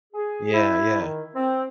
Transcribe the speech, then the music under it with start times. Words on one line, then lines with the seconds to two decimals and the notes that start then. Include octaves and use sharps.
Yeah, yeah.
0.13 G#4
0.53 E4
1.01 D#3
1.35 C4